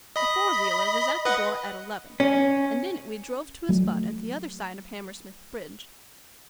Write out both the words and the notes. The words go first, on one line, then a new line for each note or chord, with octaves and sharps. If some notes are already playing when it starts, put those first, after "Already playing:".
A four-wheeler was at the door at eleven, and in it we drove to a spot at the other side of Hammersmith Bridge.
D#5 B5
B4 D#5 F#5
C#4
F#3 A3